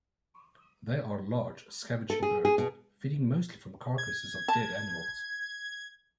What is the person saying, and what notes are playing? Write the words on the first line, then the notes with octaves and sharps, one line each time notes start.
They are large scavenging birds, feeding mostly from carcasses of dead animals.
A4
G#4
G#4
B2
G#6
A5